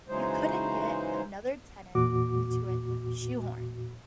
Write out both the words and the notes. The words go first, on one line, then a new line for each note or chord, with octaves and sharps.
You couldn't get another tenant into it with a shoehorn.
C#3 E3 F#3 G#3 D#4 C5
E2 A#2 F#4 D6